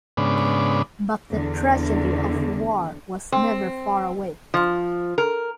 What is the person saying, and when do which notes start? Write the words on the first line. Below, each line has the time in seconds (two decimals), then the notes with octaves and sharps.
But the tragedy of war was never far away.
0.17 G#2 C#3 B3 D4
1.32 E2 D3
3.32 C4
4.54 F3
5.18 A#4